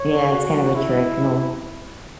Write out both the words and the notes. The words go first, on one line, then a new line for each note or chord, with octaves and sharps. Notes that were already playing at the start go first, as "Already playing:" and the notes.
Yeah, it's kind of a trick, an old
Already playing: C#5
F#4
E4